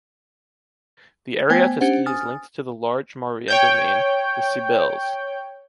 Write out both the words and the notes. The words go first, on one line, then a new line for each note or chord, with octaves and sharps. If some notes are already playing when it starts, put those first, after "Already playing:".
The area to ski is linked to the large Maurienne domain, the Sybelles.
A3 B3 C5 G5 G#5 G#6
C#4 D4 G4 C5 F#5
G#5 D#6 F6 A6
C#5 G5 G6